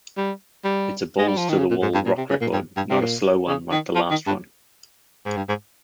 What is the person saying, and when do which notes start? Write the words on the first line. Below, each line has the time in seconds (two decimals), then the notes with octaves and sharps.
It's a balls-to-the-wall rock record, not a slow one like the last one.
0.18 G3
0.65 G3
1.19 G#3
1.28 G3
1.38 F3
1.49 D#3
1.59 C#3
1.71 A#2
1.82 G#2
1.95 G2
2.06 A#2
2.18 C3
2.30 C#3
2.41 A#2
2.53 G2
2.77 G2
2.90 C3
3.01 A#2
3.48 C#3
3.72 D#3
3.95 F3
4.11 D#3
4.27 G2
5.26 G#2
5.37 G2
5.49 G#2